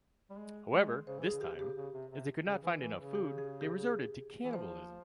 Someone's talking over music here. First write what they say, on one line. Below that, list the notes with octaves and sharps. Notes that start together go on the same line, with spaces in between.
However, this time, as they could not find enough food, they resorted to cannibalism.
G3
G#3
G#3
C#3 C5
E3
G#4
C#3
E3 G4
C#3 G4
C#3
C3
C3
C#3
E3
E3
C#3
G4
G#4
G4
G#4
E3
F3 C5